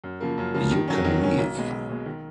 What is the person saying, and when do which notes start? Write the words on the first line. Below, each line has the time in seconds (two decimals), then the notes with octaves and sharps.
You can leave.
0.04 F#2
0.20 C#3 F3 A#3
0.38 F#2
0.55 C#3 F3 A#3
0.71 D#3
0.88 F#3 C#4
1.05 D#3
1.22 F#3 C#4
1.38 B1
1.56 B2 G#3
1.72 B1
1.89 B2 G#3
2.06 D#3